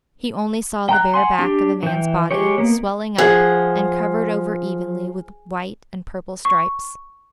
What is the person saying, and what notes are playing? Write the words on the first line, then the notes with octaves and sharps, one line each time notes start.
He only saw the bare back of a man's body swelling up and covered over evenly with white and purple stripes.
G5 A#5 F#6
F#5 G#5 C6
D4 G4
E3 G5
G#3 G4 C#5
A#3 B3
F3 G#4 F#5
C#6